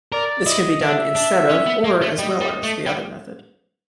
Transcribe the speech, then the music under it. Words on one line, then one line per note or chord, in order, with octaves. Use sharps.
This can be done instead of, or as well as, the other method.
A#4 D5
E4 D#5
D4 E5
D4
C#4
B3
A#3
A3
G3 D#5
G3
A3
G3